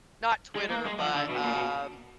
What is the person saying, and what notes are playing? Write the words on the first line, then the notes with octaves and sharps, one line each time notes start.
not Twitter, but, um,
G#3
A#3
G#3
F3
D3
B2
A#2
B2